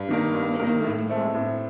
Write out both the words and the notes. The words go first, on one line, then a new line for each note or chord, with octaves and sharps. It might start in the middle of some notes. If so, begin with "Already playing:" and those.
"Haven't you any father?"
Already playing: G2
D#3 A#3 D#4 A#4
G2
D#3 A#3 D#4 A#4
A2
A3 C4
A2